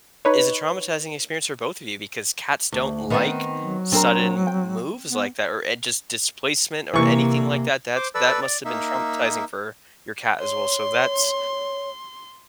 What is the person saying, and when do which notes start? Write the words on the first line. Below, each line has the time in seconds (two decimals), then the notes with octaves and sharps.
is a traumatizing experience for both of you because cats don't like sudden m moves like that or an just displacement or anything like that. That's that must have been traumatizing for your cat as well, so, that's
0.25 D#4 B4 C#5
2.72 D2
3.10 D#3 B3 C4
3.58 F#3
3.92 C4 D4 A#4 A#5
4.47 G5
5.09 B3
6.94 C3 E3 A#3 C#6
7.96 C5 D6
8.15 A4 B4 D5 E6
8.41 D5
8.65 A#3 D#4 E5
10.41 C#5 C6